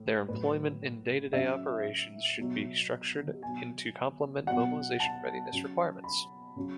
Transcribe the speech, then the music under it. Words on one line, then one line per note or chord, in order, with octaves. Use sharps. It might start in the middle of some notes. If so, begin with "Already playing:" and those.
Their employment in day-to-day operations should be structured to complement mobilization readiness requirements.
Already playing: A2
A2 F#3 B4
C#3 F#3 E5
B2 F#3
B2 F#3 G#5
B2 F#3 F#5
A5
C#3 F#3
B5
C#3 F#3